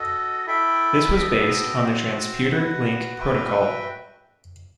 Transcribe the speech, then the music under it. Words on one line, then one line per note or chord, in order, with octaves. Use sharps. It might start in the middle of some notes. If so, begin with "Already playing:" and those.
This was based on the Transputer link protocol.
Already playing: F#4 A4 D#5
E4 A4 E5 G5
B3 F#4 A4 D#5 G5
C4 F#4 C5
F#4 B4 F#5
F#4 B4 E5 G5